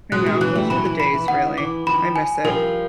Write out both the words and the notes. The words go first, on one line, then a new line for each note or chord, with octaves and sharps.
I know, those were the days, really. I miss it.
F#3 G#3 F#6
F#3 G#3
E3 F#3 F#6
G3 A3
E3 F#3 B5
E3
E3 B5
E3
D#3 F#5
E3 D6
D#3 F3 B5
G#5
F3 G3 A#4